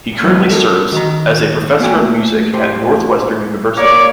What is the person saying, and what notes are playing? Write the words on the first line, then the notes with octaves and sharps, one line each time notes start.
He currently serves as a professor of music at Northwestern University.
F#3 G#3 B3
F#4 A4 A#4
D#3 A#5
A#3 B3 F#4 G5 G#5
A3
A2 G4 C5
A#3 C#5 D5